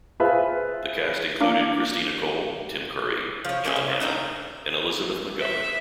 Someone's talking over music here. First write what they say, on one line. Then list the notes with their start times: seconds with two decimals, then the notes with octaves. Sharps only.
The cast included Christina Cole, Tim Curry, John Hannah and Elizabeth McGovern.
0.20 F4 G#4 B4 C5 E5
1.40 A#3 D4 F5 D6
3.45 F3 C#5
3.65 A#3 C#4 G#4 E5
3.76 C#3
4.00 D4 D#4 F#4 A#4
5.40 E5